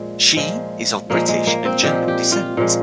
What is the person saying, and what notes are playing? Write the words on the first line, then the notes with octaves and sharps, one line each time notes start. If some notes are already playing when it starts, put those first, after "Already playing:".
She is of British and German descent.
Already playing: A#2 F3 G#3
A#2 F3 G#3
A#2 F3 G#3 A#3
G#3
A#3
C4
A#2 F3 G#3 G4
G4
F4
A#2 F3 G#3